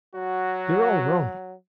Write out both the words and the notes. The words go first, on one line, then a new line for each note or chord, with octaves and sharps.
You're all wrong!
F#3 F#4